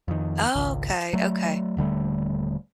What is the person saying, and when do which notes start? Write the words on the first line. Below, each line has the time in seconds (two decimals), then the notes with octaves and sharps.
Okay. Okay.
0.08 F2 D#3
0.55 G#1 C#2
1.13 F#3 A3
1.77 D#1 D3 G3 A3